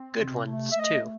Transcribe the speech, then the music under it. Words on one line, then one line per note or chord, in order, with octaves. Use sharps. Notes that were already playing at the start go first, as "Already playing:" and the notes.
Good ones too.
Already playing: C4
C3
A3
E5
A3 D#5